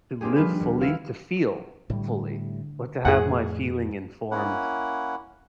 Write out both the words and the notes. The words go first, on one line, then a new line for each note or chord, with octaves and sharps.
to live fully, to feel fully, but to have my feeling informed
A#3 C4 D4 G4 G#4
F3 G3 F4 B4
D#1
E4 B4 F5
A2 D3 G3
F2 A2 G#4 F#5
A#3 C#4 E4 F#5